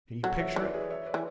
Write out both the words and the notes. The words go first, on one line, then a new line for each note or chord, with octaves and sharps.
Can you picture it?
F#3 F#4 A4
C#5 E5
E3 B4 D5
G#4 B4
C#5 E5
B4 D5
E3